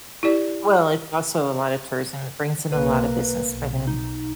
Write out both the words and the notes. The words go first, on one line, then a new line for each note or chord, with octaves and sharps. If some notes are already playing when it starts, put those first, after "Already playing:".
Well, it's also a lotta tourism, it brings in a lot of business for them.
E4 G4 D5
B1 A#3 B4
B1
D#4